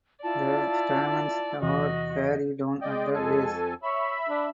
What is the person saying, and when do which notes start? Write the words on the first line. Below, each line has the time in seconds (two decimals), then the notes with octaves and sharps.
The stamens are hairy down at the base.
0.23 E4 F4 D5 A5
1.62 E2 C3 E3 F#4 D#5
2.81 G#3 D5 D#5 G5
3.14 F2 A4 G#5
3.83 C#5 E5 B5
4.29 D4